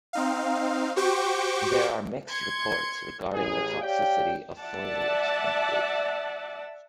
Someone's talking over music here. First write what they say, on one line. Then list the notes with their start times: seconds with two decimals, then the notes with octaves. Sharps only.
There are mixed reports regarding the toxicity of foliage and fruit.
0.13 C4 D#4 F5
0.96 F#4 G4 C5 G5 C#6 D6
2.30 C6 G#6 C#7
3.35 A1 G#4
3.82 G4 C#5 D5 F5 G5
4.61 D5 E5 F#5 A5